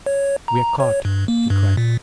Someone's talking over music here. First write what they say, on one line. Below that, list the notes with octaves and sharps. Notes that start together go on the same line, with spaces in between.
"We're caught!" he cried.
C#5
A#5
C#5
G2
A#3
G2
A#2